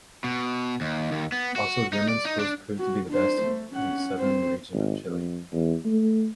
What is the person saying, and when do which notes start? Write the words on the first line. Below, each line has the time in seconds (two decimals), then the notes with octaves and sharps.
Also German schools proved to be the best in the Southern region of Chile.
0.24 B2
0.81 D#2
1.11 D#2
1.32 B3
1.56 F#4
1.93 D#4
2.09 D5
2.25 D#4
2.39 D4
2.79 F#4
3.10 D4 C5
3.42 A3
3.73 C#4 F#5
4.18 C4 C5
4.73 G#1
5.07 F2
5.53 E2
5.85 A3